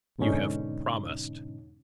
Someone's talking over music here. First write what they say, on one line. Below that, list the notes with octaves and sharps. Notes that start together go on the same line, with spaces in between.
"You have promised!"
E2 G#2 B2 D3 C#4 D#4